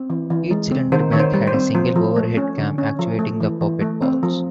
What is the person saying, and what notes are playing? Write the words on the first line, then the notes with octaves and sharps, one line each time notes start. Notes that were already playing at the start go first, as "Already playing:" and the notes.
Each cylinder bank had a single overhead cam actuating the poppet valves.
Already playing: C4
E3
E3
G#3
C4
D#3 C5
D#3 C#5
C5
G3
C5
C4
F3 C5
F3
A3
C#4
D3
C#4
F3
A3
E3
E3
A3
C4
F3